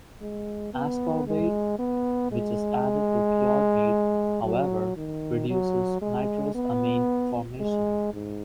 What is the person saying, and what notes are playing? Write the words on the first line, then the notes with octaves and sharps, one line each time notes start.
Ascorbate, which is added to cured meat, however, reduces nitrosamine formation.
G#3
B3
G#3
B3
G#3
F#3
D#3
F#3
G#3
B3
G#3
G#2